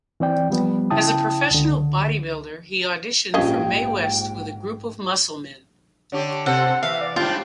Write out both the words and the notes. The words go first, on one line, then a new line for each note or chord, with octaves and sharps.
As a professional bodybuilder, he auditioned for Mae West with a group of musclemen.
E3 C4 D5 G5
F3 G3 B3
C#3 E4 G5 A5 D#6
C#2 D3
A#1 G#2 C#4 G4 D#5 F5 G5 G#6
D3 D4 G4 C#5
C3 C4 A4 C5 F#5
E3 E5 F5
D5
G#2 G3 D4 F4 G5